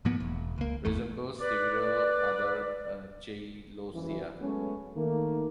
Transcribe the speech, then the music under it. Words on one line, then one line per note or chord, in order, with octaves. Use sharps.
Resembles several other "Cheilosia".
G#2 F3 A#3 B3
E1
C#2 A#3
G#1 E2 A3
B4 D5
F#1 F2 E3
F#3 G#3 A3 B3 C#4
D#3 A3 A#3